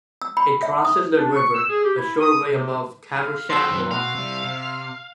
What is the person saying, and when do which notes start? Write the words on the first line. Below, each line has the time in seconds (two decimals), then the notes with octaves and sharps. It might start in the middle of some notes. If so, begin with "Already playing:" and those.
It crosses the river a short way above Caversham Lock.
0.22 E6
0.37 B5
0.63 E5
0.85 D#6
1.16 D4
1.36 C#6
1.55 E6
1.69 G#4
1.84 G4
1.97 E4
2.21 D#6
2.50 C3
3.15 F5
3.50 F3 C4 F#4 C6 E6
3.70 F#2 D#3 B4
3.91 B2 F#4 F5
4.15 C3 G3 E5
4.44 C3